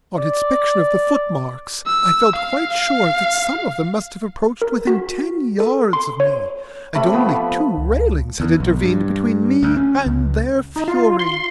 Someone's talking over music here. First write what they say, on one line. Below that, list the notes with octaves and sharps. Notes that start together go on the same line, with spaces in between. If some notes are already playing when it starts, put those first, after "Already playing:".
On inspection of the footmarks, I felt quite sure that some of them must have approached within ten yards of me, and only two railings had intervened between me and their fury.
D5
E6
F5
A#4
F#4
A4
C6
C#5
C3 A3 B5
F3 B3
C#2
E2
B1
G2
D2
C#4
C#2
D#4
F4
C6
C6